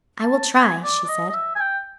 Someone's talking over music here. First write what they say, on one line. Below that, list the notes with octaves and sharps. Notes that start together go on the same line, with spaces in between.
"I will try," she said.
A5
G#5
D5
D5
D#5
D#5
E5
G#5
G5